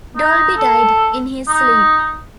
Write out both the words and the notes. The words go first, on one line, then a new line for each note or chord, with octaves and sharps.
Dolby died in his sleep.
D#4
A4
D#4